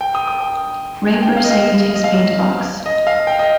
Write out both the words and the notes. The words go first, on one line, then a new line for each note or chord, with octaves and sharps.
Raper saved his paint box.
G5
D#6
D#6
G5
G5
F5
D#5
F5
D#5
F5
D#5
F5
G5
D#5